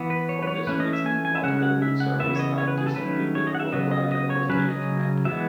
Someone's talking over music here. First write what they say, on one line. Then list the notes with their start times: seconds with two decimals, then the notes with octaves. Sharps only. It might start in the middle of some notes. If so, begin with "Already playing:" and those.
For this reason, multiple root servers are distributed worldwide across the Internet.
Already playing: E3 B3
0.10 B4
0.29 C#5
0.42 B4
0.47 C#5
0.67 E3 A3 C#4 B4
0.80 D#5
0.93 E5
1.06 G#5
1.25 G#5
1.35 E5
1.43 C#3 G#3 C#4 F#5
1.63 F#5
1.82 E5
2.00 F#5
2.20 C#3 E3 B3 E5
2.36 C#5
2.39 D#5
2.58 C#5
2.67 B4
2.78 G#4
2.86 A4
2.96 D#3 F#3 A3 C#4 B4
3.35 C#5
3.47 D#5
3.55 F#5
3.60 E5
3.73 C#3 F#3 B3 D#5
3.91 D#5
4.12 D#5
4.30 C#5
4.49 C#3 F#3 C#4 B4
4.69 D#5
5.25 E3 G#3 B3 E5